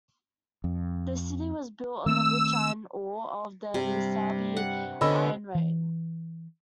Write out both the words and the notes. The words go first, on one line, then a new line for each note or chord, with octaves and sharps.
The city was built on the rich iron ore of the Mesabi Iron Range.
F2
D#3 A3 C4 E6
G2 C3 G3
F#5
A#2 D3 B3 C#4 D#5 B5 E6
E3